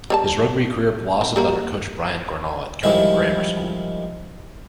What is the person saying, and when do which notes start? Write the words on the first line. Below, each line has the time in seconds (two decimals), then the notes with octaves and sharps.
His rugby career blossomed under coach Brian Gornall at Kirkham Grammar School.
0.10 G3 C#5 A5
1.21 C4
1.36 G3 A#3 F#4
2.83 D#3 F3 G3 G#3 E4